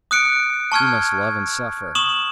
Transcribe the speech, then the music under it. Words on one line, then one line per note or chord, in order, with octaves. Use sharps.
We must love and suffer....
D#6 F#6 C#7 D7
A5 C#6 F6 G#6
C#6 D#6 E7 F#7